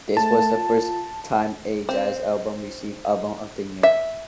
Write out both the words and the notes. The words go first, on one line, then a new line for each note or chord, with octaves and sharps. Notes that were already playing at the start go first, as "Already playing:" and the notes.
This was the first time a jazz album received Album of the Year.
A3 A5
F4
C4
E5